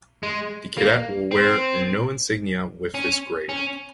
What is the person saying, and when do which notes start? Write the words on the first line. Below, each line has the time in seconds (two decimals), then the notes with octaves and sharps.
The cadet will wear no insignia with this grade.
0.23 G#3
0.78 A#3
1.31 C4
2.94 C#4
3.49 C#4